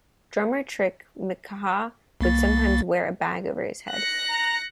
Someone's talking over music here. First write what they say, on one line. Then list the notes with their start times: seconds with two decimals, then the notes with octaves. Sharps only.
Drummer Trick McKaha would sometimes wear a bag over his head.
2.21 C2 A#3 A6
3.90 F#6 A#6 C#7
4.29 A#5